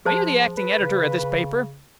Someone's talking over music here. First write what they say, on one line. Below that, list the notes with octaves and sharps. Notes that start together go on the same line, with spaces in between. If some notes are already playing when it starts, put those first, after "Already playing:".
"Are you the acting editor of this paper?"
F3 G#4 C5 A5
B4
C#3